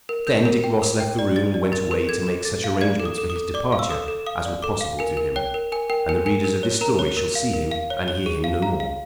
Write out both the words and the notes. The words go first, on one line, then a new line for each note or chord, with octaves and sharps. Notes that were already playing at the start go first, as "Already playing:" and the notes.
Then Dick Ross left the room and went away to make such arrangements for his departure as were possible to him, and the readers of this story shall see him and hear him no more.
A#4
A#4 G6
A#4
G5
A#4
G5
D5
D5 A6
D5
A#4 A6
A#4
A4 G#6
A4
A4 A6
F5
D5 G#6
A4
D#6
A4
D#6
A4
D5 D6
F5
E6
A4 D#6
A4
F5 D#6
D5
A4 D6
F5
A#4 G#5
A#4
C#5 G5
A#4
A#4 G#5
A#4 G5
A#4 G#5
A#4 G#5
A#4
C#5
A#4 A#5
C#5
A#4
F5
A#4
F5
C#5
C#5
G#4
F5
F5 A#5
F5